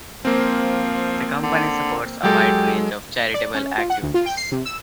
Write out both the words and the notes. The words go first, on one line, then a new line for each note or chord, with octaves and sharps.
The Company supports a wide range of charitable activities.
F3 A#3 C4
D3
F#3 G#3 G4 A4
D5
C#4
F4
F#5
D2
F4
G5
C7
C3
E6